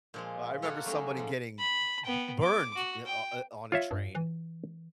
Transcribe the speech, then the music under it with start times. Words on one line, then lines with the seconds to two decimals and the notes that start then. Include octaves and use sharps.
Well, I remember somebody getting b b burned i on i on a train,
0.14 A#2 F3 G#3
0.62 A#3 F4 F#4 A4 C#5 D#5
0.86 F#3 A3 C#4 D#4 G4
1.17 G#2 F3
1.58 B5
2.04 B3 G5
2.41 D6
2.76 F#4
3.05 G5
3.72 F4 C#5 E5
3.91 G2
4.15 E3